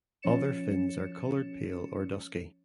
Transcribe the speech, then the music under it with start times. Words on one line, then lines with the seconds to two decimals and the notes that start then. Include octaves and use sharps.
Other fins are colored pale or dusky.
0.22 F3 C#4 C#5 A6 C#7 E7